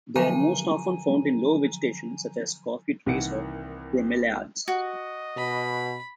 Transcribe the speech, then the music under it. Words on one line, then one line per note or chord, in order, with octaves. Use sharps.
They are most often found in low vegetation such as coffee trees or bromeliads.
D3 F3 F#3 G#5 A#5 D#7
C2 D#3 E3 A#3 F#5 C#7
F#4 D#5
B2 B5